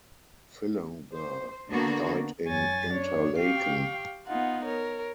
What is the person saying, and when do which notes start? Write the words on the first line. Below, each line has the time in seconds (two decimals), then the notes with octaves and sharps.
Fillunger died in Interlaken.
1.13 C5
1.69 D3 A#3 B3 D4 F#4
2.48 F#2 C#5 G#5 A6 A#6
2.89 D4 C#5
3.37 G4 F5 G5 C#6
4.27 B3 D#4 F4 F#5
4.65 A#4 C#5